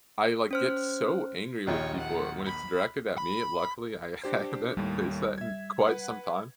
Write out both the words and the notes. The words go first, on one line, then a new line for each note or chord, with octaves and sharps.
I, like, get so angry with people when it's directed at me, luckily, I I haven't faced that in quite some time,
C#4 C5 F6
A#1 D#2 F4 C#5
F#5
B5
B5
D4 G4 C5
D#2 A2 G3
E5 G#6
B4 F#5